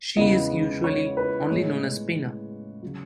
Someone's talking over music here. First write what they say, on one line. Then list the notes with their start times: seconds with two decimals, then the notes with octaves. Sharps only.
She is usually only known as Pina.
0.17 E2 C#3 G#3 B3 D#5
0.84 C#5
1.17 B4
1.50 A2 G#3 B3 C#5
2.82 C#3 F#3